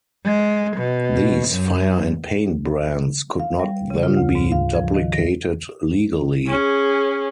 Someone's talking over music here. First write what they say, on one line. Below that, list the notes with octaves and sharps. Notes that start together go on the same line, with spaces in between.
These fire and paint brands could not then be duplicated legally.
G#3
B2
F#2
F5
G3
C#3
F4
D2
G#2
F5
F3
D#3
A#6
C#4 G#4